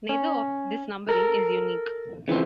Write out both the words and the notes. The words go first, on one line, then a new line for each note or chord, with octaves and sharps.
Neither of this numbering is unique.
C#4
A4 A#4
C#3 E3 F3 C4